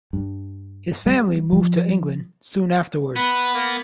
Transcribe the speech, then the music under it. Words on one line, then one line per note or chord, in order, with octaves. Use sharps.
His family moved to England soon afterwards.
G2
G3
F3
B3 B4
A#3